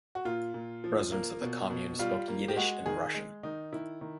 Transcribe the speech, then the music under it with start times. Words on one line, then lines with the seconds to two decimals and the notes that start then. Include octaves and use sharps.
Residents of the commune spoke Yiddish and Russian.
0.15 F#4
0.25 A#2 F4
0.54 A#2
0.84 F3
1.12 A#3
1.41 B2
1.70 B2
1.99 G3 F4
2.28 A#3
2.48 G4
2.57 G#3 F#4
2.86 D#3 G#4
3.14 G#3
3.43 D#3 D#4
3.73 D#3 E4
4.01 D#3